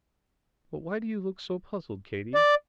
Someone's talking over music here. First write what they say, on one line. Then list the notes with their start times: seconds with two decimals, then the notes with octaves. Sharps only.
But why do you look so puzzled, Katy?
2.35 D5